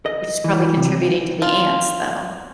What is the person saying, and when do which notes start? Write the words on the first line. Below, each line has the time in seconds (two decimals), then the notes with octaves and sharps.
which is probably contributing to the ants, though.
0.06 D#5
0.44 E3
0.77 C3
1.42 F4